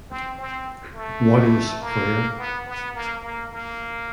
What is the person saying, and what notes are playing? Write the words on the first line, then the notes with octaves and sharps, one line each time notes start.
What is prayer?
C4
C4
A3
A#3
B3
B3
A#3
A#3
A#3